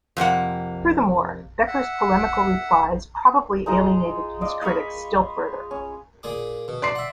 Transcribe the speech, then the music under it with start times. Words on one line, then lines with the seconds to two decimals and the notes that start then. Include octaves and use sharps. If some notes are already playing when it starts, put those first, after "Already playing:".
Furthermore Becker's polemical replies probably alienated his critics still further.
0.17 F2 C3 A#3 F#5
1.67 E5 F#5
3.66 G#3 D#4 F4 A#5
4.41 D5 D#5 F5
4.61 D#5 F5 B5 C#6
5.71 C#4
6.23 A#2 G#4 D6
6.68 B2
6.82 D5 C6 C7
6.95 E5 F#5